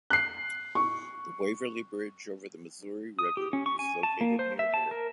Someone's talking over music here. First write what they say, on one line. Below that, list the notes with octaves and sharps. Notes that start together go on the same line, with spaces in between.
The Waverly Bridge over the Missouri River is located near here.
F#6 C7
C#6
D#6
G4
C#4
C#6
G#5
A5
A#3
C5
E5
A5
A#4